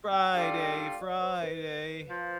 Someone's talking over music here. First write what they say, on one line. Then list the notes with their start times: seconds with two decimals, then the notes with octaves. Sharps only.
Friday. Friday.
0.12 G5
0.33 G3 D4 F4 A4 D5 F5
0.56 G5
0.77 F5
0.99 D5
1.21 C5
1.43 B4
2.09 F3